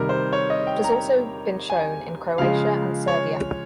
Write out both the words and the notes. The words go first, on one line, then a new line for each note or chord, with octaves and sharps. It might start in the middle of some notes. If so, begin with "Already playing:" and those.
It has also been shown in Croatia and Serbia.
Already playing: C3 D#3 G3 A#4
C5
C#5
D#5
G5
A#5
G#5
C#3 F3 G#3 F5
C#5